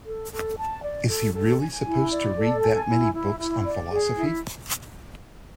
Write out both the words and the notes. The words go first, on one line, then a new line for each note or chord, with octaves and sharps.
Is he really supposed to read that many books on philosophy?
A4
A4
A5
D5
A4
A4
G#5
E4
D5
A4
G#5
E4
E4
E4
D5
G#4
E4